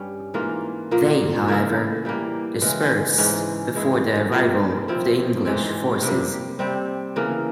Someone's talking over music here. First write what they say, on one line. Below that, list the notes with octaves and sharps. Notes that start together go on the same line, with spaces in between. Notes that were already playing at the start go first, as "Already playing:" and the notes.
They, however, dispersed before the arrival of the English forces.
Already playing: G2 G3 C#4
G#2 E3 A#3 F4
A#2 F3 A#3
C#3 E3 A#3 E4
E3 G3 A#3
C#3 E3 G#3
G#2 E3 G#3 C#4
G#3 E4 G#4
A#2 G3 A#3 F4
F3 C4 E4
G#2 E3 G#3 C4
C3 G3 A#3
C3 G3 C4
C#3 E3 A#3